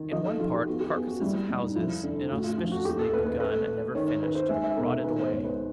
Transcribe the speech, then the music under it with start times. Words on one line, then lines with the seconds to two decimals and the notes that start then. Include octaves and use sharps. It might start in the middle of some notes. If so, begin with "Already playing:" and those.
In one part, carcases of houses, inauspiciously begun and never finished, rotted away.
Already playing: D#3
0.12 F3 D#5
0.25 A4
0.40 F3 F4
0.54 G4
0.67 B3 F#4
0.80 G4
0.94 B3 G#4
1.07 F#4
1.21 G3 E4
1.49 G3
1.63 D#4
1.76 F3 E4
2.03 D3
2.31 A2 F#4
2.44 F4
2.58 F3 F4
2.72 F#4
2.85 D#2 G4
2.99 A4
3.13 D#2 B4
3.26 B4
3.40 A3 B4
3.67 A3
3.95 D#3 C#5
4.22 D#3 B4
4.35 C5
4.49 G#3 E5
4.64 E5
4.77 B2 A#4
4.91 A#4
5.04 D#3 B4
5.18 C5
5.31 C#2 C#5
5.44 B4